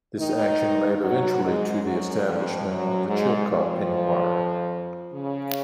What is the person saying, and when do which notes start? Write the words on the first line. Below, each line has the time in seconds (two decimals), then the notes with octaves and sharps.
This action led eventually to the establishment of the Chilcot Inquiry.
0.19 D#3 D#4
1.02 F#3 F#4
1.43 G#2 G#3
1.83 F#2 F#3
2.25 F2 F3
2.67 F#2 F#3
3.08 G#2 G#3
3.49 F2 F3
5.14 C#3